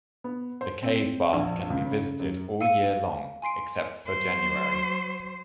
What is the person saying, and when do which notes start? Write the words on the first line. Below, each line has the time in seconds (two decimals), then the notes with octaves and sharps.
The Cave Bath can be visited all year long, except for January.
0.24 B3
0.61 C5
0.83 C4
1.33 A#1
1.70 C#2
1.84 C#3
2.20 F#2
2.61 F5 E6 C#7 D#7
3.42 G#5 C6 C7 D7
4.08 F#3 C5